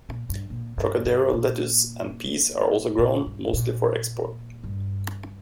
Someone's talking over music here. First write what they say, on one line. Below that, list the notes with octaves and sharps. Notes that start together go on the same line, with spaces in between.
"Trocadero" lettuce and peas are also grown, mostly for export.
A#2
G2
A#2
G2
G2
A#2
A#2
G2
A#2
G2